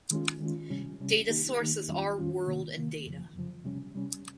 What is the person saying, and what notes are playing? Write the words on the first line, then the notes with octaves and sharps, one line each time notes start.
Data source is Our World in Data.
D#3 G#3 C#4 F4
D#3 G#3 C#4 F4
C3 G3 C#4
C3 G3 C#4
D#3 A#3 D#4 G4
D#3 A#3 D#4 G4
F2 D#3 G3 C#4 F4
F2 D#3 G3 C#4 F4
C3 D#3 A#3
C3 D#3 A#3
F2 C#3 F3
F2 C#3 F3
C3 G3 C#4
C3 G3 C#4